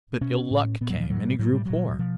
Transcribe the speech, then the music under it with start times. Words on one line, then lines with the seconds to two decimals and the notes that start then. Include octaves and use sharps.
But ill luck came, and he grew poor.
0.21 B2 C#4
0.51 A2
0.81 A#2 B3
0.90 F#3
1.00 F3
1.10 A2 F#3
1.25 G3
1.39 A2 F#3
1.53 G3
1.65 A#2 F#3
1.99 B2 F3